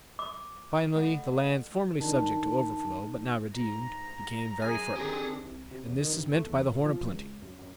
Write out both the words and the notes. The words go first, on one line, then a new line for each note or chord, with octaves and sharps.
Finally, the lands formerly subject to overflow, but now redeemed, became very fertile, and this is meant by the horn of plenty.
D6
A3 F#5
D#3 D4 A5
G#2 A#5
F#2 G#4 G#5
D#3 C4 D4 G4 G#4 G#5
C2
C3
E2
D#3
G2
A3
E2
A#2
F3
C#2
F#2
F#2